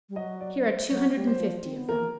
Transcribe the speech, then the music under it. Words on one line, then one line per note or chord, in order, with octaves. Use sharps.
"Here are two hundred and fifty of them."
G3
F#3 D#5
D5
C5
F#3 C#5
G3
C5
F#3
F3
C4
B3
A#3 A#4